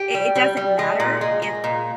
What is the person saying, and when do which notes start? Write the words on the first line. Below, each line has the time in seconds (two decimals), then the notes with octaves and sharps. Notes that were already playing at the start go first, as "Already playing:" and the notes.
i it doesn't matter if
Already playing: G4
0.14 G3
0.36 G3
0.57 G3
0.79 G#3
1.00 A#2
1.21 G#3
1.42 G#3
1.64 A#2